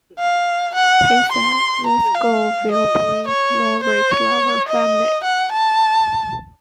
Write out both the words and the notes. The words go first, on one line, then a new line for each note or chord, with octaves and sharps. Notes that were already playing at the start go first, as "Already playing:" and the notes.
He said, This girl will bring glory to our family.
F5
F#5
C6
A#5
F5
D#5
C#5
C5
C#5
D#5
F#5
A5